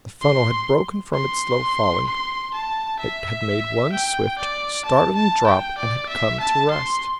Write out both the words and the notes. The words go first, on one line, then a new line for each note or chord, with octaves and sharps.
The funnel had broken from its slow falling; it had made one swift, startling drop and had come to rest.
C6
C6
C6
A5
E5
G5
D5
A5
A5
G5
D5
E5
A5
C6